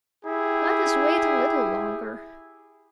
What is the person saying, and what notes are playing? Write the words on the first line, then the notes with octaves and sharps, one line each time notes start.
"Let us wait a little longer."
E4 G4 G#4